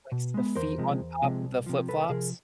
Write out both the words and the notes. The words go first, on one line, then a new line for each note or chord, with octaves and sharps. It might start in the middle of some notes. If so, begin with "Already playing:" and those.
like, the feet on top of the flip flops?
B2
G#3 B3
E2 A#4 C5
C3 F3 G#3
E2
C3 F3 G#3
C2
C3 F3
C2 A4 B4
C3 F3 G#4 A#4